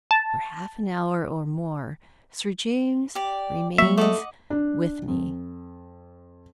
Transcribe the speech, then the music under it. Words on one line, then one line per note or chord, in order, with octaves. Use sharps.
For half an hour or more Sir James remains with me.
A5
G4 D5
F#3 A#3 E5 C#6
A3 D#5 F#5 D6
D4
F2